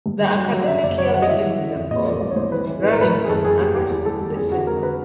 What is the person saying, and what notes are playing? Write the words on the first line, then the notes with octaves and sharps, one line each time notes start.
The academic year begins in the fall, running from August to December.
G2
G2
F#3
F#3
C#3 E5
F#1 D5
F#3 C#5
F#3 F#5
D#5
E3 E5
E3
C#3
F2
A#2 D#5
F3 D5
C2 D5
C#5
C2 C5
E3 B4
E3
A1 B4
A#4
A2 B4
E3 A#4
G#4
F#1 A4
F#1 G#4
F#1 G4
E2 G4
E2
G3 A4
G3
F2 G#4
D3 F#4
G#3 A#4
D3 B4